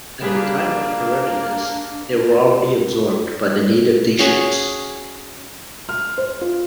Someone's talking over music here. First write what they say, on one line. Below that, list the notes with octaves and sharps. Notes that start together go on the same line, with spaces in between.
At the time of Herodotus they were already absorbed by the native Dacians.
G3 A#3 D4 G#4 B4
C#4 F#4 G#4 C#5
F6
C5
F4